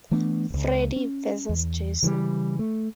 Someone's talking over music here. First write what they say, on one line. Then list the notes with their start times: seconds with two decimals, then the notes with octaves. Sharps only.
"Freddy versus Jason".
0.11 E3 A3 B3 D4
0.50 E1 C#2
0.96 C#4
1.49 E2
2.03 C#3 E3 F#3 G3
2.59 A3